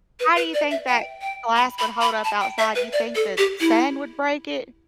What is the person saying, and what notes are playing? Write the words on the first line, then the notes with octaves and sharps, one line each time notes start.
how do you think that glass would hold up outside, do you think the sand would break it?
B4
B4
D5
E5
G5
G5
B5
B5
B5
A5
G5
E5
B4
D5
A4
G4
E4